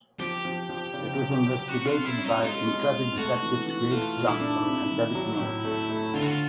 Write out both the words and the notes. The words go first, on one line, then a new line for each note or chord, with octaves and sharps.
It is investigated by intrepid detectives Gail Johnson and David Mills.
F3 G4
F3
F3
C#3
F#3
F#3
C3 F#4
F4
C3
E4
C#4
D#4
G#3 F4
G#3
C3
A3 F#4
E3
E3
A3 F4
A#2
E4
D4
C3
D#3
F#3
A2
A3
A3
D3 F4
F#4
F4